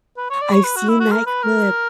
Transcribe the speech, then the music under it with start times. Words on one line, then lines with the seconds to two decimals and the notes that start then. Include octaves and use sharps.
I've seen that clip.
0.17 B4
0.30 C#5
0.42 D5
0.53 C#5
0.65 B4
0.76 F#4
0.88 E4
1.00 F#4
1.12 A#4
1.27 B4
1.43 A#4